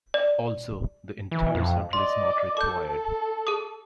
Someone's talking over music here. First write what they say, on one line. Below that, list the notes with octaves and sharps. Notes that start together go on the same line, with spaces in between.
Also, the entire circle is not required.
D5
E3
F2
D5 D#5 C6
A4 D6 G6
G#4 D#6